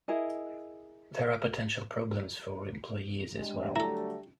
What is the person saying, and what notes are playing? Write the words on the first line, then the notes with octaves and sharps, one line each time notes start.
There are potential problems for employees as well.
E4 G#4 A#4 D#5
G3 G#3 D4 G4
D3 F#3 A3 E4 A4 A#5